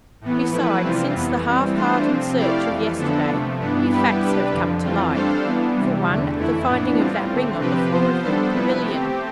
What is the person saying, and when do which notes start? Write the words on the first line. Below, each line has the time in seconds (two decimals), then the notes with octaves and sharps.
Besides, since the half-hearted search of yesterday new facts have come to light; for one, the finding of that ring on the floor of the pavilion.
0.21 A2 E3 B3
0.52 F3 A3 E4 B4
0.83 C3 E3 G3 C4 F4
1.14 F2 E3 B3
1.44 E3 G3 C4
1.75 E3 A3 D4 F4 C5
2.06 C3 F3 C4
2.36 A3 E4 G4 D5 F5
2.67 F2 E3 A3
2.98 D3 F3 B3 D4 A4
3.29 C3 F3 A3
3.60 G2 E3 B3 D4
3.90 G3 B3 E4 G4 B4
4.21 C3 G3 D4 G4 B4
4.52 F2 D3 F3
4.82 F2 E3 A3 C4 F4
5.13 G3 D4 A4 C5 F5
5.44 E3 B3 D4
5.75 C3 E3 G3
6.06 E2 D3 A3
6.36 F2 E3 A3 E4
6.68 A2 E3 B3 D4
6.98 A2 G3 C4 F4
7.29 D3 A3 C4
7.59 C3 F3 C4 G4 B4
7.90 F3 B3 F4 C5
8.21 G3 B3 D4 A4 C5
8.51 C3 F3 B3 E4 B4
8.83 A3 C4 G4